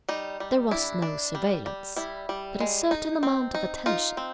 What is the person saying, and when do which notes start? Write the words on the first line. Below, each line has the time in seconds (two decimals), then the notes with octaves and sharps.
There was no surveillance, but a certain amount of attention.
0.09 G3 D#4
0.40 G3
0.71 D4 E4
1.02 D4
1.35 G3
1.66 G3
1.96 G3 E4
2.29 G3
2.60 G#3
2.91 D#4
3.23 C4
3.54 D#4
3.86 D#4 F4
4.17 C4